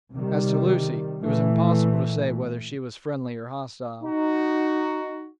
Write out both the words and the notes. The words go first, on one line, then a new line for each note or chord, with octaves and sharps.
As to Lucy, it was impossible to say whether she was friendly or hostile.
C3 D#3 G3
A#2 E3 A3
D#4 F#4